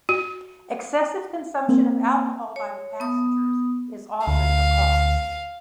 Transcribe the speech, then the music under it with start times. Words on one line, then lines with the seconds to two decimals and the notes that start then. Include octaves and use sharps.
Excessive consumption of alcohol by the passengers is often a cause.
0.09 F#4
1.69 A#3 C4
2.56 C#5
3.00 B3 D#6
4.27 D2 F5